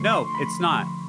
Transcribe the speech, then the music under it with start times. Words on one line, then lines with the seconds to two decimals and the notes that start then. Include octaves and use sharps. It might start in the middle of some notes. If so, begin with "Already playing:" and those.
No, it's not.
Already playing: D3 F3 A3 C6 C#6
0.13 C6
0.35 B5